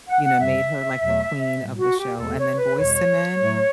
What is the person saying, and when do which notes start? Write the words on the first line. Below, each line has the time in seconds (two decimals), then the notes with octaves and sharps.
you know, made her like the queen of the show, and then Boyz II Men,
0.09 F#5
0.24 F#5
0.39 F#2 C#3 G3 E5
0.99 E2 B2 F#3 A3
1.58 A2 G3
1.79 F#4
1.98 G4
2.18 E2 B2 A3 A4
2.39 C#5
2.58 B4
2.78 E2 B2 G3 C#5
3.38 A2 F#3 A3